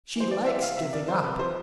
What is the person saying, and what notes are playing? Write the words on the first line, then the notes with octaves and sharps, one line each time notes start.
"She likes giving up."
E3 C5
E3 D5
E3 E5
C3 F5
C3 E5
C2 D5
F3 C5
C3 B4
F3 C5